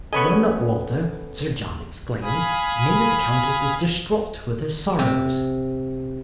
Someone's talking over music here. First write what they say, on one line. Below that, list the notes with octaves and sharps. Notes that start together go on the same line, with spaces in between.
"Run up, Walter," Sir John exclaimed, "maybe the countess is distraught with her sorrows."
B3 C#4 A4 D#5 G#5 B5 C#6
F5 G#5 B5 D#6
C3